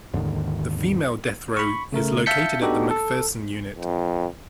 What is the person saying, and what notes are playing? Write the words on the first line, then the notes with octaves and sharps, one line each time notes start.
The female death row is located at the McPherson Unit.
D#2 G#2 D3 D#3
B5 C#6
C#3 A3 A#4
E5 F5 A5 G6 B6 C#7
B3 D4 D#4 F#4 G4 A4
A4
F2